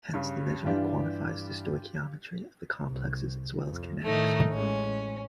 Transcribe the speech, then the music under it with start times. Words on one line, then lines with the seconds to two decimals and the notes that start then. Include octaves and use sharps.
Hence the measurement quantifies the stoichiometry of the complexes as well as kinetics.
0.14 G2 C#3
0.65 G2 E3 D4 F4 G4
2.89 C2
3.69 F2
4.03 A2 D#3 A3 D#4
4.52 A1 G#3 C#4